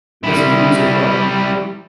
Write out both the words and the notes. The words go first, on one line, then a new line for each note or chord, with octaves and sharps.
this the music playing,
G3 E4